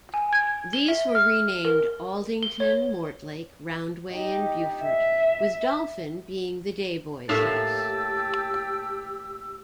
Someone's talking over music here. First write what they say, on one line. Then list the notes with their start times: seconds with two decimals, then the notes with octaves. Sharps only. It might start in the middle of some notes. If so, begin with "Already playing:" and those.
These were renamed Aldington, Mortlake, Roundway and Beaufort, with Dolphin being the day-boys house.
0.14 G#5
0.33 G#6
0.73 G7
0.88 E5
1.15 F6
1.65 A#4
2.43 G7
2.60 C#5
4.10 D#4 G4
4.82 E5
7.29 A2 A#3 G4 E5 A5 E6